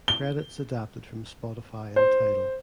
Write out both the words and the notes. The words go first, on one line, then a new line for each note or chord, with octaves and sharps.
Credits adapted from Spotify and Tidal.
G7
C5